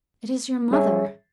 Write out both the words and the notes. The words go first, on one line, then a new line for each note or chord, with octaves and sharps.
"It is your mother!"
G3 C#4 G#4 C#5 E5